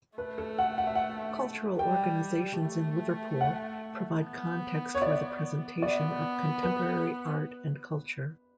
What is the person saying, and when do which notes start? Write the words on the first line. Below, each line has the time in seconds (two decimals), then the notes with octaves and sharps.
Cultural organisations in Liverpool provide context for the presentation of contemporary art and culture.
0.18 A3 B4
0.38 A4
0.58 F#5
0.78 F#5
0.87 E5
0.95 F#5
1.79 G3 G5
2.60 A3
3.41 F#5
4.20 B3
4.95 C#5
5.02 D5
5.82 B3 D5
6.63 B4